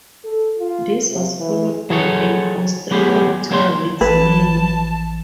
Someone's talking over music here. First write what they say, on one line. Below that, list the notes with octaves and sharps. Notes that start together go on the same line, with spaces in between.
This was followed by an Australian tour with Slayer.
A4
F4
C3
E3
F#3 G#4 A4 C#5
F#3 B3 G4 G#4
F#3 A#3 C#5 C6
A1 E3 B4 A5